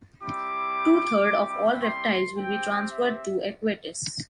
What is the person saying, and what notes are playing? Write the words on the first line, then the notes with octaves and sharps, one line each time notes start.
Two third of all reptiles will be transferred to Aquatis.
G3 C4 E4 G4 D6
G3 C4 E4 G4
C6
C4 G4 G5
E5